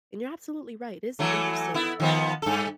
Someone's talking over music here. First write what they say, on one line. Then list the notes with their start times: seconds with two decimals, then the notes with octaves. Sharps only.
and you're absolutely right, it is interesting.
1.19 E3 F#3 A3
1.74 B3 E4
2.00 D#3 F3 B3
2.42 G2 A4